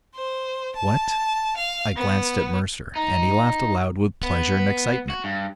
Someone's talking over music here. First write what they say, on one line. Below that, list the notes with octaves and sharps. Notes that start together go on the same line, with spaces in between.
What--I glanced at Mercer, and he laughed aloud with pleasure and excitement.
C5
A5
F5
B3
D#4
B3
F#4
G2